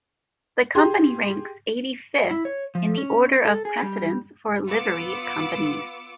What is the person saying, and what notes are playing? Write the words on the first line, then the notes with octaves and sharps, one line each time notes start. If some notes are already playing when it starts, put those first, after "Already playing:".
The Company ranks eighty-fifth in the order of precedence for Livery Companies.
G4 G#4 C6
E4
C#5
F3
C#4
A4
G#4
G3
B3 F4 D6 E6 C#7 D7